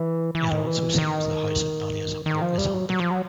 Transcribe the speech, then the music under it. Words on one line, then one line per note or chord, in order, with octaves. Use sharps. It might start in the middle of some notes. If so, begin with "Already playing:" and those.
It also seems the house of Nadia's uncle is haunted.
Already playing: E3
E3
D#3
E3
D#3
D#3
F3
G3
F#3
F#3
F3
F#3